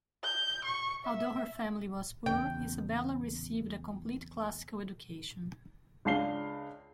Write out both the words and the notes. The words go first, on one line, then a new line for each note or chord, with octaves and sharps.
Although her family was poor, Isabella received a complete classical education.
G6
C#6
E5
E2 C#3 G5
C#2 D4 F5 C7 G7